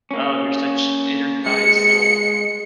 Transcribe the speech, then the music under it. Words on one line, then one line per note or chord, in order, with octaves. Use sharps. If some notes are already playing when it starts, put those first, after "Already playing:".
Oh, they're such energized little
A#3 C#4
G#3 C#7